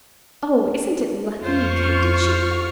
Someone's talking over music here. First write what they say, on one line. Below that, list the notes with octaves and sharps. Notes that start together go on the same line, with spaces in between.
"Oh, isn't it lucky you kept it?" she cried.
F2 F4 C5 C#6 F6